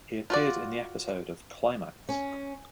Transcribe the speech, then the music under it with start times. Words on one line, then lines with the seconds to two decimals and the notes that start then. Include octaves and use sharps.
He appeared in the episode of Climax!
0.30 F4 F#4 D5
2.09 C#4